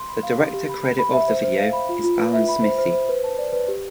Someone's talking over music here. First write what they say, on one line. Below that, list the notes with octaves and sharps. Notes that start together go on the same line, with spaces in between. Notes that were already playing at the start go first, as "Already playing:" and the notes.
The director credit of the video is Alan Smithee.
Already playing: C6
B5
F5
G4
G4
B5
B5
B5
E5
C5
C5
F5
B5
F4
F4
B4
E5
B5
C5
C5
C5
B4
A5
D5
B4
G4